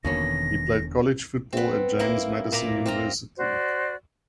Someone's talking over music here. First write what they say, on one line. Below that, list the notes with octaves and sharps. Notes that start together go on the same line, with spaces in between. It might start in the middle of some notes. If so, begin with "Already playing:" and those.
He played college football at James Madison University.
E1 E2 B2 D3 D#3 A#3 C#4 A#6
B3 C4
A#3 E4
A#2 A#3 D5 A#5
C4 F4 A#5
F#4 C5 D5